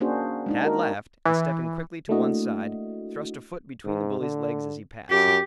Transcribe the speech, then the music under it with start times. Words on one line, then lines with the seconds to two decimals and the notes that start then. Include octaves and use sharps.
Tad laughed, and stepping quickly to one side, thrust a foot between the bully's legs as he passed.
0.01 A#3 C#4 D4 F#4 G#4 C5
0.46 G#3 D4 D#4
0.65 F#4 A#4
1.25 E3
2.09 A3 A#3 D4 E4 F#4 D#5
3.85 G#2
4.20 D3
5.10 F#2 G4